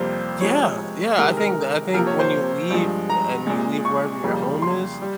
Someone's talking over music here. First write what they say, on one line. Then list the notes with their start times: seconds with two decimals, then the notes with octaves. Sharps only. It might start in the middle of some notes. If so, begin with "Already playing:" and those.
Yeah, yeah, I think I think when you leave and you leave wherever your home is,
Already playing: F2 C3 G3 A#3 C5
0.41 C3 F3 G#3 C#5
1.18 C3 D#3 G#3 A#4
1.37 A#4
1.94 C3 F3 A#3 A#4
2.07 C#5
2.19 C5
2.70 G2 F3 G#3
3.10 A#5
3.47 A#2 G#3
3.85 C#6
4.24 F2 C#3 G3 A#3
4.62 C6
5.02 G3